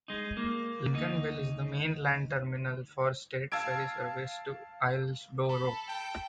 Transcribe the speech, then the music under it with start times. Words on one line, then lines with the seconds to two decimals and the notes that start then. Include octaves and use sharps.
Lincolnville is the mainland terminal for state ferry service to Islesboro.
0.08 G#3 D#4
0.37 A#3
0.93 D2 D#4
3.52 F5 A5 E6 G#6 D7
5.49 A4 B5
5.88 G5